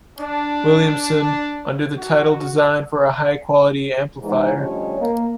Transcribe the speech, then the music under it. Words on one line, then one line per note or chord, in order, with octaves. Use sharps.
Williamson, under the title Design for a High-quality Amplifier.
D4
F#4
E2 G#2
D2 F3 G3 C#4 C#5 D#5
A#3